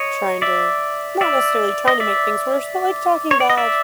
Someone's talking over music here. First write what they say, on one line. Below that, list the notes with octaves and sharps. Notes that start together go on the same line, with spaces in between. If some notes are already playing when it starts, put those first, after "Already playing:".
trying to not necessarily trying to make things worse, but, like, talking bad,
Already playing: C#5 D#5
D5 E5
D5 E5
D#5
D5 E5
C#5
D5
D#5
D5 E5